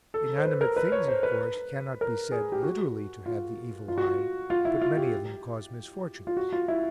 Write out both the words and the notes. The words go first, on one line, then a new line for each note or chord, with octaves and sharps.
Inanimate things, of course, cannot be said literally to have the evil eye, but many of them cause misfortunes.
A4
C5
B4
A#4
B4
C#5
C5
B4
A#4
G#4
G4
F#4
F4
F4
F#4
F4
F4
E4
F4
G4
F4
F#4
F4
E4